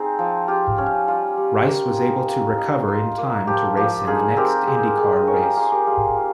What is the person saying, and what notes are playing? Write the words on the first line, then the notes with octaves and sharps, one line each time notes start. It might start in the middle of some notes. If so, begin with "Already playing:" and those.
Rice was able to recover in time to race in the next IndyCar race.
Already playing: C4 D#4 G#4
F3
F4 G4
C#4
G3 F4
G3
A#3
D#4
A#3
D#4
F4
A#3
F3 G4
F3 G4
D#4 F4 G#4
C4 G4 A#4
G#3 G4
G#3
D#5
C#4 A#4 C#5
G4 A#4
A#3 F4 G#4
G4 A#4
G3 F4 G#4
G4
F4